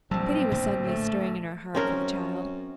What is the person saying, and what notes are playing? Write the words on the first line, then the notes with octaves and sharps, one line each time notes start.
Pity was suddenly stirring in her heart for the child.
A#1 F#3 G3 C4 A5 E6
A2 D3 A#3
A3
F#2 C4 C#4 A#4